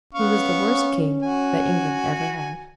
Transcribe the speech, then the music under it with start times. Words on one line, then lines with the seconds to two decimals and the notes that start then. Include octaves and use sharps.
He was the worst king that England ever had.
0.14 B3 C#4 F5 C#6
1.22 F#4 G#5